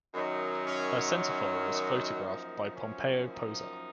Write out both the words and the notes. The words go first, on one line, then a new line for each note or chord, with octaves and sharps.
Her centerfold was photographed by Pompeo Posar.
F#2 D#3 F#3 D#4
C#4
C#4
D#4
F#2 F3 A#3 D#4
C#4
D#4